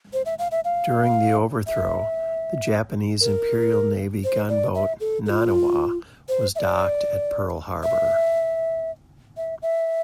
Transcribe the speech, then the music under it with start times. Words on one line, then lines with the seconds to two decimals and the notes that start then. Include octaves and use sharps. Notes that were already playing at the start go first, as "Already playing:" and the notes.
During the overthrow, the Japanese Imperial Navy gunboat "Naniwa" was docked at Pearl Harbor.
0.13 C5
0.26 E5
0.39 F5
0.51 E5
0.65 F5
1.67 E5
3.21 A#4
4.24 C5
4.49 D5
4.75 E5
5.00 A4
5.26 A4
5.30 F4
6.29 C5
6.55 E5
6.59 D5
7.83 E5
9.37 E5
9.62 E5